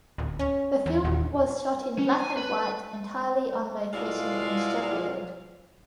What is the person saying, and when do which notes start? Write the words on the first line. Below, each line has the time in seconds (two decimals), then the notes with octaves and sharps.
The film was shot in black-and-white entirely on location in Sheffield.
0.18 D1
0.39 C#4
0.86 E2
1.05 D#1
1.98 C#4
2.13 G#5
2.37 B4
3.94 B2 G#3 E4 F4 D5 F5